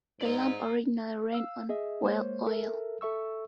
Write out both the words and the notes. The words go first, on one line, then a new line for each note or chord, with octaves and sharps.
The lamp originally ran on whale oil.
G#2 D5 A#5
F5 E6
G#4 D#5 E5
G#3 A#3 C5 C#5
A4 A#4 E5
A4 E5 C#6 E6